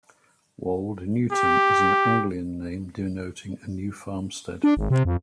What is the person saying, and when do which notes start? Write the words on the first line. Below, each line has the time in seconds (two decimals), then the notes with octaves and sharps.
Wold Newton is an Anglian name denoting a new farmstead.
1.33 G4
4.64 D4
4.77 G#1
4.90 C3
5.05 F2